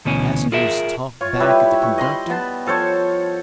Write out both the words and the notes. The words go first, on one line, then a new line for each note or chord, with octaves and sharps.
Passengers talk back at the conductor.
D2 B2 E3 C#4
F4 G#4 A#4 E5
F4 C#5
G3 E4 B4 E5
C#6
D#5 B5 C6
B3 A5
F3 A4 C5 C#5